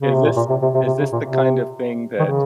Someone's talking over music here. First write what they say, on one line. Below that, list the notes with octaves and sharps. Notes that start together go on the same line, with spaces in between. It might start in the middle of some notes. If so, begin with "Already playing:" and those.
Is this is this the kind of thing that
C#3
C3
A#2
A#2
C3
C3
C3
C3
C#3
A#2
C3
D#3
C#3